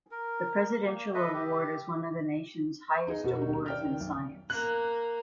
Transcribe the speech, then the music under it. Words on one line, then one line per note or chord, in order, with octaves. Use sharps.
The Presidential Award is one of the nation's highest awards in science.
A#4
A#3
A4 B4 D#5 E5
G4
D#4 G#4 B4 D#5
B2 F#4 A#4
D#1 D#4
D5 G5 F6
D#3
B1
A#3 F#6